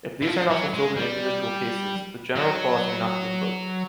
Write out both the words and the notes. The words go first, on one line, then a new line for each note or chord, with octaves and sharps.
If these are not fulfilled in individual cases, the general clause may not be invoked.
E3
F3
F#3
G#3
G3
F#3